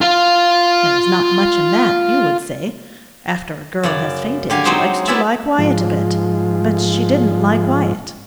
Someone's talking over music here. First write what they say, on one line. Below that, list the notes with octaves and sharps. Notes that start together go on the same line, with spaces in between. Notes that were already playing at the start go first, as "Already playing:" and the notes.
There is not much in that, you would say; after a girl has fainted she likes to lie quiet a bit; but she didn't lie quiet.
F4 F5
F#2 C#3 D5
D3 G4 F5 G#5
F#3 G#3 C4 D#4 C5
F#3 G#3 B3 E4 D5 E5
G#2 F3